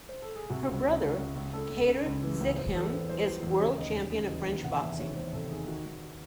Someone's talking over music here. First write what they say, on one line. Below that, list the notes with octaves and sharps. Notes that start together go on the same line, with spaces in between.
Her brother, Kader Zighem is world champion of French boxing.
C5
A4
G#4
C3 F#4
C#2
C#2
C#2
C#2
C#2
C#2 A4
C#2
C#3
C#2
E3
C#2
E2 C5
E3 A4
E2 C5
E3 C5
E3
E2
C#3 C#5
D#2 D#5
D#2
C#3
E3
D#2
C3 F#5
E2 E5
D#3 C#5
E2 C5
C3 A4
D#3 G#4
D#3 F#4
D#3